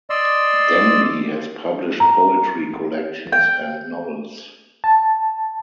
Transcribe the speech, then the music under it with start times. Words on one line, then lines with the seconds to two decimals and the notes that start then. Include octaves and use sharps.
Denby has published poetry collections and novels.
0.10 D5 D#5 C6 E6
2.00 A#5
3.32 G5
4.84 A5